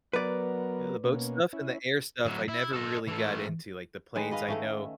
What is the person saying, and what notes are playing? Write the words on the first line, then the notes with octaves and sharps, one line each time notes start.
Yeah, the boat stuff and the air stuff, I never really got into. Like, the planes, I know
F#3 B3 A#4 B4 D5
B2 A#3 C#4
C#4 E4
A2 F#3
E4
A4 D#5
E3 A3
D#3 G#3 B4
B4 D#5 F5
D#3 A3 C#4